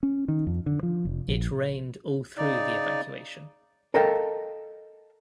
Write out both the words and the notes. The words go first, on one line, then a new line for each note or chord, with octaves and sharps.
It rained all through the evacuation.
C#4
D#3
F2
D3
F3
F1
A#1
C#3 D#4 D5
A4 A#4 D#5 F5 G5 A5